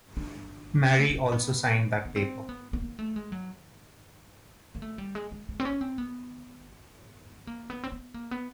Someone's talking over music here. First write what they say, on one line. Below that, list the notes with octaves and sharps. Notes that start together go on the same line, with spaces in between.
Mary also signed that paper.
D4
C#4
A3
B3
A#3
B3
B3
C4
B3
B3
A#3
A3
G#3
F#3
A#3
A3
G3
G#3
G#3
G#3
C4
C#4
C4
B3
A#3
B3
C4
B3
A#3
B3